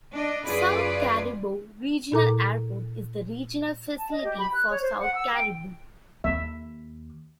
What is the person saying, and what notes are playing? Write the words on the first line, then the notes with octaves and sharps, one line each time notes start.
South Cariboo Regional Airport is the regional facility for the South Cariboo.
D4 D#5
F#2 C#3 F4 G#4 B4 D5
A#2 E4 A4 A#4 A#5 D6
A5
D#5
G4
B5
F#6
C#5
C5
F#5
E6
G5
D#2 E5